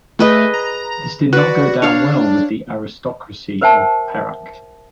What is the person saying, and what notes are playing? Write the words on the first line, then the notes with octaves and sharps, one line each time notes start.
This did not go down well with the aristocracy of Perak.
A3 G#4 B4 D#5
A#5
F#4 B4 D5
D4 C#5 F5
A#4 C5 E5 G5 A5